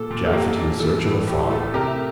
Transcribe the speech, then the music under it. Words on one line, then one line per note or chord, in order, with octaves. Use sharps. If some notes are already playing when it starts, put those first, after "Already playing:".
Japhet in search of a father!
Already playing: A#2 A4
A#2
A4
A#3 G4
A#2
E3 A4
A2
A2 G4
A3 A4
C3 G4 A#4
E5